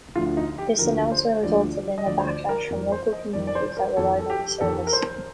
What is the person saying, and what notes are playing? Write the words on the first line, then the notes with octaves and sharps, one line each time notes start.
This announcement resulted in a backlash from local communities that relied on the service.
D2 D3 F3 F4
D#4
G4
D2 D3 F3 A#4
C5
D2 D3 F3 D5
D#5
D2 D3 F3 D5
C5
D5
A#4
F2 D#3 A#4
C5
D#5
F2 D#3 D5
D5
C5
A#4
F2 D#3 A4
A4
G4
F2 D#3 A4
A#4
C5